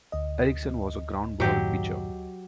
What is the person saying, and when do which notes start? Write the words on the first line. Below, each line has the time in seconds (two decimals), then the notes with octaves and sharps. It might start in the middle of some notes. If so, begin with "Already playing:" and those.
Erickson was a groundball pitcher.
0.12 D2 D#5
1.40 F#2 A2 D#3 F#3 G4